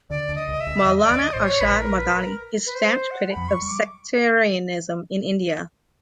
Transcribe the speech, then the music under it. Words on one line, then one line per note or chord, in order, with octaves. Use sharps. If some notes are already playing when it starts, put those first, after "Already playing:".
Maulana Arshad Madani is a stanch critic of sectarianism in India.
D2 D3 D5
D2 D3
D#5
C#2 C#3
E5
C#2 C#3
E2 E3 D#5
D#5
D5
D#2 D#3
D#5
A1 A2 C5
C#5
A#1 A#2 B4
A#4
B4
A#4
B4
C5
F#5
B5
F2 F3
C#6
G3 C#6
D6